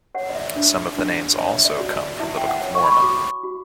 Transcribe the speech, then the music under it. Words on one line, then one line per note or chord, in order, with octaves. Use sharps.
Some of the names also come from the Book of Mormon.
C#5 F#5
D5
E5
D4
D4
C#5 E5
D5
F#4
D5
E4 E5
G5
F#5
C#5
C#6
B5
C#6
F#4 D6
F#4